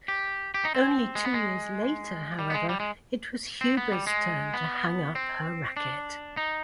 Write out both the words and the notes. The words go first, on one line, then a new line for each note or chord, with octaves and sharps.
Only two years later, however, it was Huber's turn to hang up her racquet.
G4
G4
D#4
C4
G#3
B3
G#3
G3
B3
G#3
G3
G#3
C4
B3
G3
G#3
B3
C4
D4
D#4